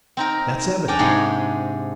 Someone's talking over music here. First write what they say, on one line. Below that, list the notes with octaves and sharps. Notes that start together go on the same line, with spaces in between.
That's evident.
C4 D#4 A#4
C#4 D4 D5 G5 A#5
G#2 C3 G#4 G5